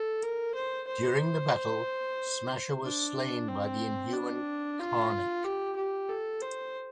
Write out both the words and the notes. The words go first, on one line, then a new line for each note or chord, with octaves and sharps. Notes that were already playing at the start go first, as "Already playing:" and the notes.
During the battle, Smasher was slain by the Inhuman Karnak.
Already playing: A4
A#4
C5
C5
D4
C4
D4
F4
G4
G4
A4
C5